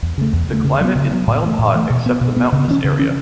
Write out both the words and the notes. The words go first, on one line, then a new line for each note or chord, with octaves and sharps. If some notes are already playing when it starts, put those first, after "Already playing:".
The climate is mild-hot except the mountainous area.
E2
C#3 A3
E2
C#3 A3
C#3
F#3 B3
C#3
F#3 B3
A2
E3 A3
A2
E3 A3
B2
B3
B2
B3
C#3
E3 C#4
C#3
E3 C#4